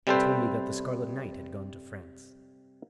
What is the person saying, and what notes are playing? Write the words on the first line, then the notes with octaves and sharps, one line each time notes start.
"He told me that the Scarlet Knight had gone to France."
C3 G3 C4 A4 B4 C5